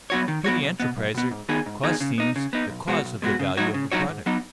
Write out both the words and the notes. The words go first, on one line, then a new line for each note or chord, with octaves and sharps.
To the enterpriser, cost seems the cause of the value of a product.
F#3 B3 F#4 C#5
D#3
F#3 B3 F#4 C#5
B1
B2 B3
B1
B2 B3
G#2
D#3 B3 D#4 G#4
G#2
D#3 B3 D#4 G#4
C#3
B3 D#4
C#3
B3 D#4
B1
B2 G#3 B3 F#4
B1
B2 G#3 B3 F#4
C#3
F#3 D#4 F#4 C#5
C#3
F#3 D#4 F#4 C#5
G#2
F#3 B3 D#4